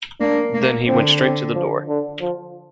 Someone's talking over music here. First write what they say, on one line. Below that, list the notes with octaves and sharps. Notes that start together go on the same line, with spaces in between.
Then he went straight to the door.
A#3 D4
A#3
D3 C4
C4
F3
D3
F3